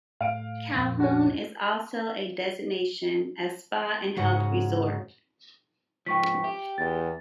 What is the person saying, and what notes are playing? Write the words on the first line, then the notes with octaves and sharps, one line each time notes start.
Cahul is also a destination as spa and health resort.
A2 F5 D7
F2 A#2
F#4 C#5
G#2 C#3 F#4 F#5
G#2 F3 G5 C#6 B6
G4 E5
E2 A6